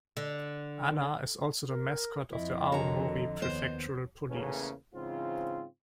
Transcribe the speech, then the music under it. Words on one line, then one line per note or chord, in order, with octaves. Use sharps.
Anna is also the mascot of the Aomori prefectural police.
D3
A#4
F2 E4 D#5
D3 F#4 A#4 C#5 A#5
D#2 B3 C5
E2 C#3 A3 A#3 C#4 B4
G#2 C#3 E3 C4 F4